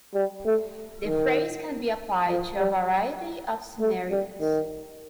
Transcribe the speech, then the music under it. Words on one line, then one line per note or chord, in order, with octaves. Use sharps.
The phrase can be applied to a variety of scenarios.
G3
A3
D#3
F3
G3
A3
G3
D#3